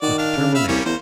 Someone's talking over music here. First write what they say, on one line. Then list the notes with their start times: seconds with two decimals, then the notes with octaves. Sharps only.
'With determination.
0.02 D#3 F#4 D5
0.18 D4 F5
0.37 C#3
0.55 E5 F5 B5
0.68 C2 G3 A#3 C#4
0.85 E2 A#3 C5